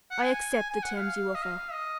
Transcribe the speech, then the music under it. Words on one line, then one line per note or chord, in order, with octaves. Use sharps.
I accept the terms you offer.
F#5
G#5
G#5
F#5
F5
D#5
F5
D#5